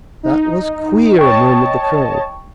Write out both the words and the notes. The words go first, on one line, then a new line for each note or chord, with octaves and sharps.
"That was queer," murmured the colonel.
D#4
C#5 D#5 G5 A5 C#6